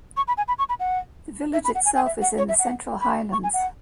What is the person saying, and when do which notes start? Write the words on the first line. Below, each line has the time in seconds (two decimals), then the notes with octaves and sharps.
The village itself is in the central highlands.
0.17 C#6
0.28 B5
0.37 G#5
0.48 B5
0.59 C#6
0.69 B5
0.80 F#5
1.53 E5
1.64 B5
1.75 F#5
1.85 G#5
1.96 G#5
2.06 E5
2.22 F#5
2.38 C#5
2.49 E5
2.59 F#5
3.01 B5
3.32 C#6
3.43 G#5
3.54 F#5